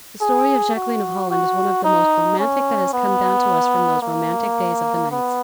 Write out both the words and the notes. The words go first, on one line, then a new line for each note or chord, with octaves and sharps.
The story of Jacqueline of Holland is one of the most romantic that has come down to us from those romantic days of the knights.
G#4
F#4
F#4
D#4
C#4
B3
A#3
B3